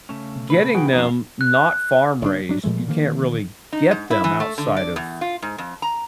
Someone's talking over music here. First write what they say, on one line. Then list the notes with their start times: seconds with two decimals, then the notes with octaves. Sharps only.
getting them not farm-raised, you can't really get them outside of
0.09 C#3 A3 C#4
0.50 B2 B4
0.74 F3 F#4 G#4 G5
0.93 F2 A#2 G3 D#4 F5
1.41 F#6
2.22 F#1 A#2 D4
2.49 F#3 D4
2.63 A#2 F3 G#3 A3
2.88 D3 D#3 F3 A#3
3.72 D#4
3.91 G#2
4.11 E4
4.24 E3
4.40 A3
4.58 D3
4.77 D5
4.96 E2
5.21 F4
5.42 G#2
5.58 F2
5.82 A#5